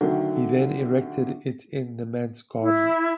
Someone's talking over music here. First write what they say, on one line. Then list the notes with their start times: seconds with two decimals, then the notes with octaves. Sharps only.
He then erected it in the manse garden.
0.01 D3 D#3 F#3 A3
2.61 E4